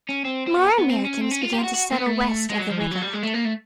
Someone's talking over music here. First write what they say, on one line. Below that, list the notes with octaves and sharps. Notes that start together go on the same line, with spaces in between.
More Americans began to settle west of the river.
C#4
C4
C4
B3
B3
C4
C#4
C4
C#4
F4
G4
F4
F#4
F#4
A#3
B3
A3
G#3
F#3
F3
E3
F#3
G3
G#3
A3
A#3
A3